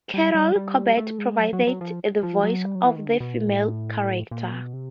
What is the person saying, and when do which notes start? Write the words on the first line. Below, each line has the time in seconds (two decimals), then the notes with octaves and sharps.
Carol Corbett provided the voices of the female characters.
0.14 G3
0.35 G3
0.56 G3
0.97 A3
1.18 G#3
1.39 F#3
1.53 F#3
1.67 F#3
1.81 F3
2.23 F3
2.43 F#3
2.64 G3
2.75 F#3
2.85 E3
2.96 D#3
3.06 D3
3.20 B2
3.34 A#2
3.48 A2
4.31 A#2
4.53 B2
4.73 C3